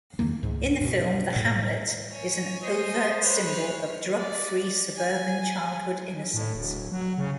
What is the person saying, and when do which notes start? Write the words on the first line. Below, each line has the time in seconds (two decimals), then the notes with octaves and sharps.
In the film, the hamlet is an overt symbol of drug-free suburban childhood innocence.
0.19 E2 D#3 E3 A#3
0.43 C#2 G#2
0.81 F#2 B2
1.36 A2
2.11 C#5 G#5
2.63 C5 D#5
3.21 B4 C#5 F6
4.17 D5
4.96 G#5
6.34 A2
6.55 D1
6.92 F#3
7.18 C#3